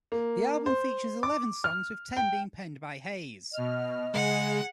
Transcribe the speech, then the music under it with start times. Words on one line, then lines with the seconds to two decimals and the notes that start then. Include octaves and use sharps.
The album features eleven songs, with ten being penned by Hayes.
0.12 A#3
0.66 C5
1.23 D6
1.64 F6
2.17 G5
3.53 B2 D#5 F6
4.14 C#3 G#3 G#4 F#5